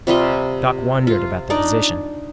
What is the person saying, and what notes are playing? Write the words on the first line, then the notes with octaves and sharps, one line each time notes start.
Doc wondered about the physician.
C3 G3 F4 D#5
F4
D4 D#4 D5